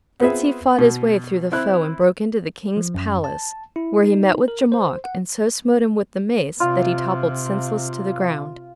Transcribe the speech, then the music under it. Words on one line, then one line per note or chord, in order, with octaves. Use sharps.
Thence he fought his way through the foe and broke into the King's palace, where he met with Jamak and so smote him with the mace, that he toppled senseless to the ground.
B3 C4 F4 G#4 B4 E5
B2
C4 E4 F#6
F3
F#2
A5
E4
D#4
A#4
C5
F#5
C3 F4